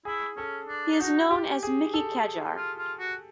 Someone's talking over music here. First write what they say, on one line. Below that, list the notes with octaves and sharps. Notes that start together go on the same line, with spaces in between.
He is known as "Mickey Kadjar".
E4 G#4
C#4 A4
D4
D4
D#4 F#4
G4
G#4
A4
F4
F4
F#4